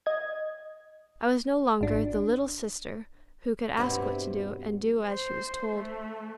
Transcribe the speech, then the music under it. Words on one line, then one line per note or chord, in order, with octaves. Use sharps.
I was no longer the "little sister" who could ask what to do, and do as she was told.
D#5 G#6
G#1 D4
G2 B2 F#3 C4 E4
C5
A3